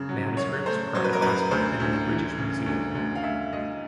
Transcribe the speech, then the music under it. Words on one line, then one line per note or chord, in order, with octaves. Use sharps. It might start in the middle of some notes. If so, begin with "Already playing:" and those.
Manuscripts are at Oxford and in the British Museum.
Already playing: F#2 C#3
F#3
F#2 C#5
A3 C5
F#3 C5
B4
A#4
F#2 B4
D2 C5
D2
E3
C#3
D2
D2
F5
D2 E5
D2 D#5